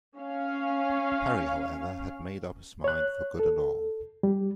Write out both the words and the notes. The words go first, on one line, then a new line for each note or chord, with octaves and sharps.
Harry, however, had made up his mind for good and all.
C#4 F5
C#5 F#6
A4
G3